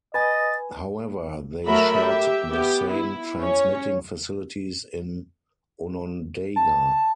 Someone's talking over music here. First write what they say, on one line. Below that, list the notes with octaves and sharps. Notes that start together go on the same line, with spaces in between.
However, they shared the same transmitting facilities in Onondaga.
B4 D#5 G#5 A6
F#3 A3 F#4 A#4 E5 B5
G4 E5
B3 G4
E4
C#4 C#5
A5